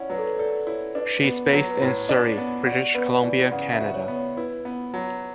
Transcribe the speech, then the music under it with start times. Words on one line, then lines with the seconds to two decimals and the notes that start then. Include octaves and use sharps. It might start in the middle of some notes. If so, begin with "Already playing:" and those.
She is based in Surrey, British Columbia, Canada.
Already playing: C#4 E4 D5 F#5
0.10 F#3 B4
0.18 A4
0.26 B4
0.39 A4 D5
0.67 E4 C#5
0.95 D4 B4
1.24 B3 B4
1.52 F#3 C#5
1.71 B4
1.81 A2 C#5
2.09 D4
2.38 B3
2.66 F#4 D5
2.95 B3 B4
3.23 E3 D5
3.51 C#3 F#5
3.73 E5
3.81 F#4
3.94 C#5
4.08 B3
4.16 C#5
4.37 E4 B4
4.65 B3
4.94 F#3